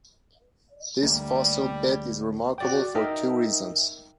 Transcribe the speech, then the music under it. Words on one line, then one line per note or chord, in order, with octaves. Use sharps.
This fossil bed is remarkable for two reasons.
D2 G3 A#3
F#4 D5 G5
D#4 A#4 D#5 E5 G5